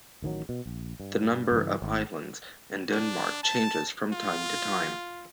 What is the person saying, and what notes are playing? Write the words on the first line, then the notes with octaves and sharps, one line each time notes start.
The number of islands in Denmark changes from time to time.
A1 D#3 E3 F#3
B2
A#1
G2
G2 C#3 E3
G#1
D4
A5
F4